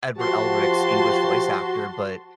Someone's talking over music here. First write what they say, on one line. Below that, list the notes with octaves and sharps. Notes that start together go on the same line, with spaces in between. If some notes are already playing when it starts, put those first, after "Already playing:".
Edward Elric's English voice actor, but
F3 F#4 G4 A5 C6